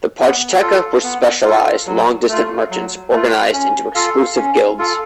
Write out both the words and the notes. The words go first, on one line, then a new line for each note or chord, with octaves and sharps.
The pochteca were specialized long distance merchants organized into exclusive guilds.
B3
F4 A4
B3
F4 A4
F#3
A3 F4
F#3
A3 F4
C#4
F4 A4 F5
C#4
F4 A4 F5